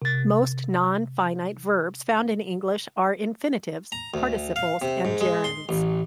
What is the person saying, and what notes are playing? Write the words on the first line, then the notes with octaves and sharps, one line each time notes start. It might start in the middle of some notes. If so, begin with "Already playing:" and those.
Most nonfinite verbs found in English are infinitives, participles and gerunds.
C3 A6
A#5
D2
F5
C3
G#2
G#3
C6
A1